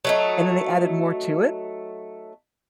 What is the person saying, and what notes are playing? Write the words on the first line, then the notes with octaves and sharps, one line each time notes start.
and then they added more to it.
F#3 A3 D#4